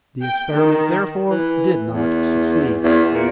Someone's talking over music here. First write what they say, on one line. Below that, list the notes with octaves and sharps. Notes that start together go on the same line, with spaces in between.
The experiment, therefore, did not succeed.
G5
D#3
E3
E2
E2
A#2